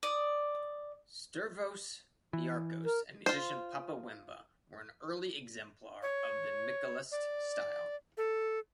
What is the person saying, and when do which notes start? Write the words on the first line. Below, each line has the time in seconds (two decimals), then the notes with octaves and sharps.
Stervos Niarcos, and musician Papa Wemba, were an early exemplar of the mikiliste style.
0.03 D5 D#6
2.33 E3
2.85 A#4
3.26 F4 C5
6.03 C#5
7.12 D5
8.17 A4